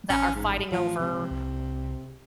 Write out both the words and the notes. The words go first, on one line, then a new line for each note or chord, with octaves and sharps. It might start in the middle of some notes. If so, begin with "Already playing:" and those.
that are fighting over,
A1 C#4
G#2
E3 F3 A3
C3 F3 G#3
C2